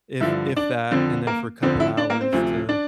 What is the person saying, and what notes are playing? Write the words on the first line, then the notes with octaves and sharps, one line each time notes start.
if if that, and then for a couple hours to,
G2 D3 F3 E4 E5
D4 D5
F2 D3 F3 C4 C5
A#3 A#4
F2 D3 F3 C4 C5
E4 E5
D4 D5
A#3 A#4
C4 C5
D2 C3 F3
D4 D5